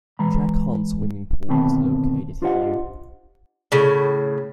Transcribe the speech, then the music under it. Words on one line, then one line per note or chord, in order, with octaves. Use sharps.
Jack Hunt swimming pool is located here.
E3 G#3 A#5 B5
D2 B2 D#3 C4 A5 B5
D4 F4 G4 C5 D#5 F#5
A2 C#3